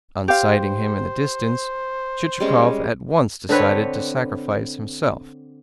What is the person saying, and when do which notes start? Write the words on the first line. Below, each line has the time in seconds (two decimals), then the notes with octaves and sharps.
On sighting him in the distance, Chichikov at once decided to sacrifice himself.
0.28 G4 C5 F5
2.40 G3 G#3 C#4
3.49 D3 C4 B4 C#5